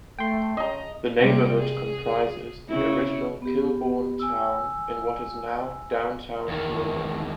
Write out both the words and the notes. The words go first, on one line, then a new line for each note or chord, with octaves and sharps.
The neighborhood comprises the original Kilbourn Town in what is now downtown Milwaukee.
A3 G5 C6
C#3 D#5 A#5
C3 G3 A#3
G#4
C#3 E4
B3 G4
G#5 E6
E2 D#3